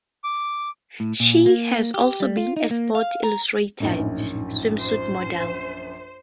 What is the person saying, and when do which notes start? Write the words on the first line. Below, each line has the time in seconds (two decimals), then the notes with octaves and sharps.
She has also been a "Sports Illustrated" swimsuit model.
0.24 D6
1.00 A2
1.20 A#2
1.46 A#3
1.94 G4
2.20 G3
2.37 F4
2.57 D#4
2.71 A#3
2.95 F5
3.24 A#5
3.80 A#1 F#2 A2 D#4
4.79 C5